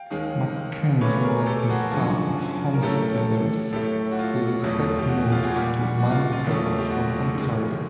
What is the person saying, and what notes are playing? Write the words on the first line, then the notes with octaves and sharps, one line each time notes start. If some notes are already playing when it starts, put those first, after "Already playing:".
McKenzie was the son of homesteaders who had moved to Manitoba from Ontario.
Already playing: F5 G5
D#2 D#3 G#3
A#2 F#3 A3 B4 C#5
G#4 A#4
G4 A4
F#4 G#4
F#2 D3 F3
A#4
A2 F#3 A3 G4 A4
A2 F#3 A3 G4 A4
F#4
F4
E2 B2 F#3 A3
G4
F#4
F#4
F4 G4
F#4 G#4
A#2 G3 A#3 F#4
F#4
F4
F4
E2 B2 F#3 A3
G4
F#4
G#2 D#3 G#3